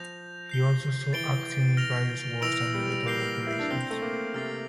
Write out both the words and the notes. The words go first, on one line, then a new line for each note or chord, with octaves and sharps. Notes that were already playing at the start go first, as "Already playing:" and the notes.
He also saw action in various wars and military operations.
Already playing: F3 G6 A#6 F7
G6 C7 G7
E3 A6 D7 G7
F6 A#6 F7
E3 E6 A#6 D7 F7
G3
A#3 G6 C7 G7
E4
D4
C4 E6 G6 D7 G7
A3
A#3
C3 F6 A6 C7 G7